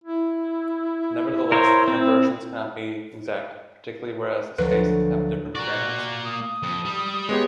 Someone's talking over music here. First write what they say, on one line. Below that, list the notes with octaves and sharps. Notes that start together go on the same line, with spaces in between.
Nevertheless, the conversions cannot be exact, particularly where these spaces have different gamuts.
E4
A#4 C5 C#5
C4
D2 F3 F#3 B4
A#3 F#4 D5
D#6
F2
G3
G#3 B3 G4 C#5